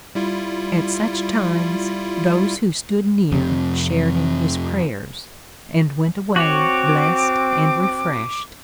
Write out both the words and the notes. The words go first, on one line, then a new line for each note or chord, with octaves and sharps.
At such times, those who stood near shared in his prayers, and went away blessed and refreshed.
G3 E4 F4
F2 C3
C4 F#4 C#5 D6